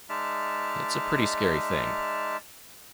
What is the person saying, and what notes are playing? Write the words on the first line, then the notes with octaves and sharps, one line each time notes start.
It's a pretty scary thing.
G#3 D#4 D5 E5 A5 F6